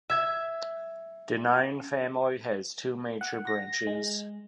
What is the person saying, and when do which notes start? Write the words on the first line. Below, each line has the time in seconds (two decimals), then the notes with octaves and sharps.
Dynein family has two major branches.
0.10 E5 G#6
3.21 F#5
3.47 A#6
3.87 G#3